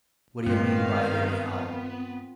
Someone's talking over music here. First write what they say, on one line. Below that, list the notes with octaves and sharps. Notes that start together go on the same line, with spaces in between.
What d'you mean by it, anyhow?
G2 D#3 G#3 B3 C4 F4 F5